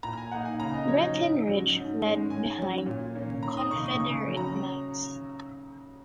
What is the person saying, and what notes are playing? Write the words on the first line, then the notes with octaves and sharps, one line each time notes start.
Breckinridge fled behind Confederate lines.
A#2 A#5
G#5
A#3 D#4 F#5
G#5
C#3 A#5
D#5
F#3 D#4 C#5
D#5
G#2
F#3 C#4
G#2
D#3 G#3 C#4
G#2 G#5
D#3 F#3 C#4
A#2
A#3 C#4
D#3 A#5
D#6
A#3 D#4 C#6
D#6
C#3 C#6
F#3 C#4
A#5